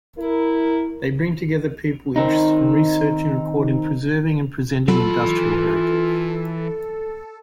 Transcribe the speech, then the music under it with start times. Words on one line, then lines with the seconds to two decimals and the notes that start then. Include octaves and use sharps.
They bring together people interested in researching, recording, preserving and presenting industrial heritage.
0.19 E4 A#4
2.16 D#3 C4 D#4
4.88 E3 F#3 F4 A4 B5